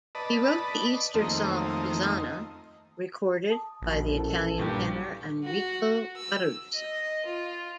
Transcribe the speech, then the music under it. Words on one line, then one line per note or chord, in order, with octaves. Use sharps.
He wrote the Easter song "Hosanna" recorded by the Italian tenor Enrico Caruso.
B4 D5 D#5 A5
F2 D#3 A3 A#3 C4 D#4
A5 D#6
A#1 B2
C#4 E4 A4 A#4
G2 A#2 G4 C#6 D6
F#4
E6
D#5
F4